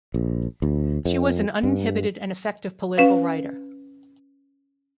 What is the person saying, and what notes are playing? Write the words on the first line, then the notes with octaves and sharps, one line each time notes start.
She was an uninhibited and effective political writer.
A#1
D2
F2
G2
C#4 B4 F5